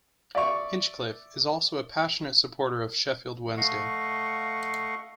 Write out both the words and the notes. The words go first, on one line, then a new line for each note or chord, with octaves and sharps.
Hinchcliffe is also a passionate supporter of Sheffield Wednesday.
D5 E5 C#6
A3 D#5 F5 F#5 C#6